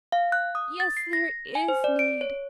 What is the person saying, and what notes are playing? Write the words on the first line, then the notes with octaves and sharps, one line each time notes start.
"Yes, there IS need!"
F5
F#6
D#6
A6
C7
A#6
G#5
C5
D5
D7
C#5